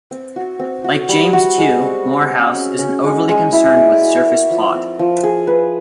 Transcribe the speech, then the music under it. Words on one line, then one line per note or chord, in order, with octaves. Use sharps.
Like James, too, Moorhouse isn't overly concerned with surface plot.
C4
F#4
C4
F#4
G3
F#4
G#3
C4
C4
C#4
C#4
C#4
G#3
G#3
E4
D5
F#4
A#4
F3
C4
F3
G#4
B4